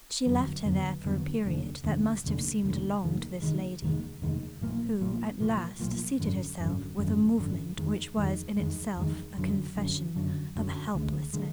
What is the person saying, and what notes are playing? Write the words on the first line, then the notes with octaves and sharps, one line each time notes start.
She left her there for a period that must have seemed long to this lady, who at last seated herself with a movement which was in itself a confession of helplessness.
F2 D3 F#3 B3
F2 D3 F#3 B3
F2 D3 F#3 B3
F1 D#2 D3
F1 D#2 D3
F1 D#2 D3
F1 D#2 D3
F1 D#2 D#3 G#3
F1 D#2 D#3 G#3
F1 D#2 D#3 G#3
F1 D#2 D#3 G#3
B1 A#2 F3 A#3
B1 A#2 F3 A#3
B1 A#2 F3 A#3
B1 A#2 F3 A#3
G#1 F#2 D3
G#1 F#2 D3
G#1 F#2 D3
G#1 F#2 D3
F2 D#3 G#3
F2 D#3 G#3
F2 D#3 G#3
F2 D#3 G#3
F#2 D3 F#3
F#2 D3 F#3
F#2 D3 F#3
F#2 D3 F#3
D2 D3 G#3
D3 G#3